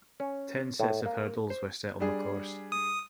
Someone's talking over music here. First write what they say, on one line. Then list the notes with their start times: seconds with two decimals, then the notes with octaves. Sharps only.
Ten sets of hurdles were set on the course.
0.20 C#4
0.80 A2
1.06 A#3
1.50 C5
2.00 G3 D4 G#4
2.72 D#6